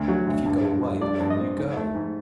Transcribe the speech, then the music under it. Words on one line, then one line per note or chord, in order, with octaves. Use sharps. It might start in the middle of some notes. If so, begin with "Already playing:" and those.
If you go away, where will you go?
Already playing: D2
F#3
D2
G2
G2
G2
G2 D5
G2
D#5
C4
G#2
A3
G#2